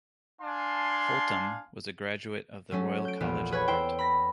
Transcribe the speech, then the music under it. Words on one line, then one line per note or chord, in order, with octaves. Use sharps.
Holtom was a graduate of the Royal College of Art.
D4 F5 G#5 A5 C6
F#3 A3 C#4
G6 D7
A#1 E2 B3
G#4 B4 C#5 G#6
E4 C5 G5
B5 A#6 B6